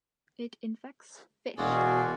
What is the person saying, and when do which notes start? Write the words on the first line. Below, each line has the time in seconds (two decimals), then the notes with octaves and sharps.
It infects fish.
1.58 E1 B2 F4 F#4 G#4 D5